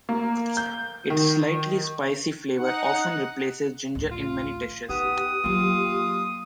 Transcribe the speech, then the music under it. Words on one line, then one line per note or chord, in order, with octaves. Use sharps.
It’s slightly spicy flavor often replaces ginger in many dishes.
A#3
G6
D#3
D#4 F#5
A1 D2
F4
B3 D#4 G4 D#6
F#3 A#3 F4